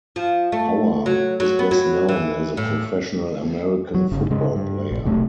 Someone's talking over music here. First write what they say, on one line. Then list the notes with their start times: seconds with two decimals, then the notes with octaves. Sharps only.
Auer is best known as a professional American football player.
0.16 F3
0.52 A3
1.06 F#3
1.40 F#3
1.59 B3
1.71 F#3
2.08 E3
2.57 A2
3.95 F#3
4.12 G1 C#3
4.30 G#2 C#3 G#3
4.56 G2
4.91 A#1
5.05 E1 B1 C3 A3